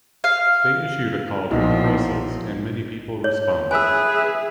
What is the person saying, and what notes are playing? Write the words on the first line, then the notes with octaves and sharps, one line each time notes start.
They issued a call to progressives, and many people responded.
F5
B1 A#2 F3 D#4 E4
C#5
G#4 B4 E5 G#5 E6